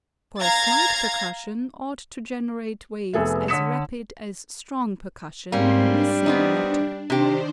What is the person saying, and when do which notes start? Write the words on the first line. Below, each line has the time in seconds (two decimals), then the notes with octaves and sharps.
For a slight percussion ought to generate waves as rapid as strong percussion in the same matter.
0.40 F5 A#5 G#6 A6
3.13 F1 B3 G#4 A4 E5
3.48 D3 C#5 D#6 B6 C#7 E7
5.52 G#2 G3 A#3 C4 C#4 C6
5.88 D4
6.26 B3 C4 D#4
7.10 C3 D#3 D4 G4 C5